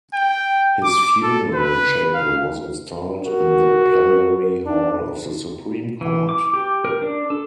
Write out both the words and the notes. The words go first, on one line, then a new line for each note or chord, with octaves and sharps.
His funeral chapel was installed in the plenary hall of the Supreme Court.
G5
D6
A4
B4
F5
F#4 A#4
D4 D#4
E3
D6
G4
A#4
D4
A4